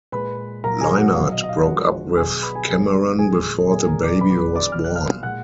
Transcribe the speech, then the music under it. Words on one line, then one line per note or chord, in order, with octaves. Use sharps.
Leinart broke up with Cameron before the baby was born.
A#2 G#3 B4 B5
A#2 F#3 A#4 A#5
G#4 G#5
F#4 F#5
B2 F#3 F5
D#5
D#5
F5
D3 F3 G#3 F#4 F#5
B2 F#3 G#4 G#5
B4 B5
G#4 G#5
B2 F#3 G#4 G#5
A#2 F3 G#3 G#4 G#5
A#2 G#3 G#4 G#5
G#5
A#4 A#5
D5 D6
B2 F#3 B4 B5
D6
B4 B5
D5 D6
B2 F#3 F6
F#6
F5 F6
A#2 G#3 F#5 F#6